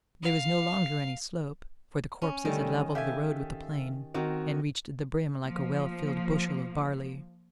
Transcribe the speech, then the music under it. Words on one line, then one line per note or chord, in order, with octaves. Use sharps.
There was no longer any slope, for the corpses had levelled the road with the plain, and reached the brim like a well-filled bushel of barley.
F5
C#4
D#3 G3 A3
G4 A4 E5 F5 G#5
D#3 C4 F#4 A#4
F3 A#3